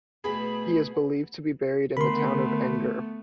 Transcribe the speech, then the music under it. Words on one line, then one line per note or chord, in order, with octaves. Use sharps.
He is believed to be buried in the town of Enger.
B2 A3 G#4 B5
D3 A3 B3 A#4 B5 C6